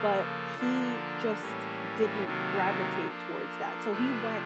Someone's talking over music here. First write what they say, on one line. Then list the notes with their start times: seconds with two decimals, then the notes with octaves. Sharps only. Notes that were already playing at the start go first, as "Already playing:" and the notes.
but he just didn't gravitate towards that. So, he went
Already playing: C#3 F3 A#3 A4
0.57 D3 F3 A#3 D4
1.41 A2 E3 G3 A#3 C#4
2.24 C3 D#3 F#3 A#3 A4
3.08 F3 A#3 D4
3.91 C3 F3 A3 D4 B4